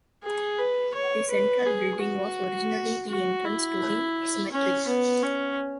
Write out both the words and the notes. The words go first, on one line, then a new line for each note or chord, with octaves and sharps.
The central building was originally the entrance to the cemetery.
G#4
B4
C#5
B4
G#4
F#4
F#4
E4
C#4
B3
C#4